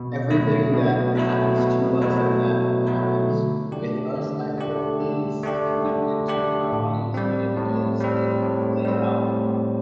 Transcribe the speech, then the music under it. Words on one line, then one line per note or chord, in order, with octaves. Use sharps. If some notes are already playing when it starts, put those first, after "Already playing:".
everything that happens to us and that happens with us, I feel is connected to our bodies and it does, like, play out
Already playing: B2
F#3 A3 E4
B2
F#3 A3 E4
B2
F#3 A3 E4
B2
F#3 A3 E4
D3
A3 D4 G4
D3
A3 D4 G4
D3
A3 D4 G4
D3
A3 D4 G4
A2
G3 C4
A2
G3 C4
A2
G3 C4
A2